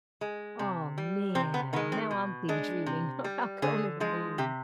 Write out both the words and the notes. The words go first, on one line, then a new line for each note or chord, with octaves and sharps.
Aw, man. Now I'm big dreaming about going to the Moon.
G#3
C3
G3
C3 C4
B3
D#3 G#3 B3
C4
B2
G#3 D4
C3
G3
D3 G#4
F3 G#3
C3 G4